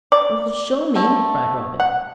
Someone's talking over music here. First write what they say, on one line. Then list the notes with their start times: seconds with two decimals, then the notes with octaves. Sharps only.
"Well, show me," cried Robin.
0.12 D5
0.95 D3 A3
1.80 F#5